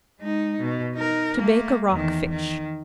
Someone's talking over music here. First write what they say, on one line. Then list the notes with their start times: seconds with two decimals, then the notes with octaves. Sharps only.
To Bake a Rock Fish.
0.20 G#3 D#4
0.61 B2
0.94 D#4 A#4
1.38 A3 A#3
1.89 E2 D#3
2.30 D#3